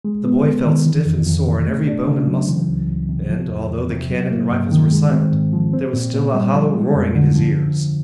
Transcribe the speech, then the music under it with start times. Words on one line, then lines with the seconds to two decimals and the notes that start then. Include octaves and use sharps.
The boy felt stiff and sore in every bone and muscle, and, although the cannon and rifles were silent, there was still a hollow roaring in his ears.
0.05 G#3
0.25 B3
0.45 C3
0.65 D#3
0.86 E3
1.06 F2
1.26 F2
1.47 C3
1.67 A3
1.87 D4
2.07 C#3
2.27 F#3
2.48 E3
2.68 C#2
2.88 C#2
3.09 C3
3.29 F3
3.49 E2
3.70 E2
3.90 C3
4.11 F#3
4.31 A#3
4.51 G2
4.72 D#3
4.92 G#3
5.12 C4
5.32 G#2
5.53 F3
5.73 C4
5.93 A#2
6.14 A#2
6.34 G3
6.55 F3
6.75 G#3
6.95 F2
7.15 D3
7.36 F3